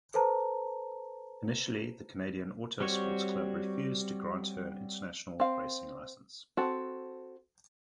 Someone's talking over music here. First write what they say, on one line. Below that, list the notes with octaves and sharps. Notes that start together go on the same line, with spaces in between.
Initially the Canadian Auto Sports Club refused to grant her an international racing license.
A4 B4 C5 A5 A#5
G3 C4 F#4 C#5
C4 F5
C4 F#4 A4